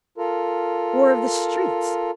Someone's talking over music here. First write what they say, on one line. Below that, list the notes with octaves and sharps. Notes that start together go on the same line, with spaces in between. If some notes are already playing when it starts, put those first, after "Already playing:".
War of the streets?
F4 A4 A#4